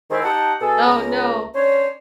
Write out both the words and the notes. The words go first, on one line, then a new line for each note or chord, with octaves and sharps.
Oh, no.
D#3 G#3 C4 E4 C5
D#4 G4 F#5 G5 A5
B2 G#4 A4
C#2 A#5
C#4 D4 C5 C#5